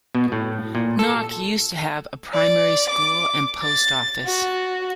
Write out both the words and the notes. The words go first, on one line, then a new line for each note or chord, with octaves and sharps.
Knock used to have a primary school and post office.
B2
A2
A#2
A4
D5
D6
A6
F#4